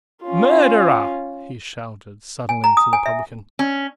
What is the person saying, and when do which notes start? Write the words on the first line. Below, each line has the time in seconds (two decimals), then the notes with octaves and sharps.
"Murderer!" he shouted suddenly to the publican.
0.23 C#4 F4
2.49 G#5
2.64 A#5
2.77 D#6
2.93 G#5
3.06 E5
3.59 C#4